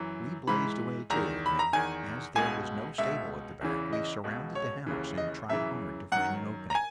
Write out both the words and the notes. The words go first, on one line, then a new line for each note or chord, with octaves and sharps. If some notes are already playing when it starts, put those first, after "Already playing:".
We blazed away too, and as there was no stable at the back we surrounded the house and tried hard to find an opening.
Already playing: F#2 E3
G#2 E3 B5
E2 D#3 A#5
B5
A#5
E2 D#3 G#5
C#2 B2 G#5
C#2 B2 E5
E2 C#3 E3
D#5
C#2 B2
C#5
D#2 C#3 E3
D#5
F#2 C#3 E3 E5
F#2 D#3 F#5
A#5
G#5